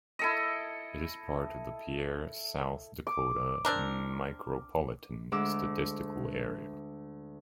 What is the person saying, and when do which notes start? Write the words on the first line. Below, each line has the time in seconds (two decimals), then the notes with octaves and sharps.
It is part of the Pierre, South Dakota Micropolitan Statistical Area.
0.19 E4 A4 D#5
3.07 D6
3.65 C4 D4 A#4
5.32 D2 G#3 D6 E6